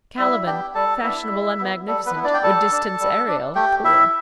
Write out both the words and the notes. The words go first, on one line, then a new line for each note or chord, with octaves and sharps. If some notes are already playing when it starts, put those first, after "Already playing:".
Caliban, fashionable and magnificent, would distance Ariel, poor.
G3 E4 E5
B3 D4 G4 G5
G3 A4 A5
B3 D4 E4 E5
G3
B3 E4
G3 A4
B3 B4
B3 E4
D4 D5
G5
G3 A4 A5
D4
G3
D4
A3 G4 G5
E4 E5